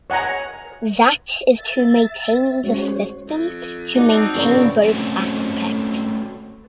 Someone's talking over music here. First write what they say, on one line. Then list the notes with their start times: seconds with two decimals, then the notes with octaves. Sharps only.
That is to maintain the system to maintain both aspects.
0.10 C#5 F#5 G#5 A#5
1.58 E5 A6
2.64 G#3 C#4 F#4 C5 C#5
3.27 F2
3.96 D#4 F#4 D5 F#5 A5
4.12 C4
4.35 C#3 E3 B3 C#4 D4 F#4 A#4 D5
4.84 A3 C4 C#4 F#4